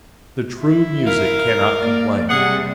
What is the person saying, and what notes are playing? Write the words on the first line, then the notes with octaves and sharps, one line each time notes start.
The true music cannot complain.
E4
A#4 F5
A#3 D5
C3 G3 G#4 F#5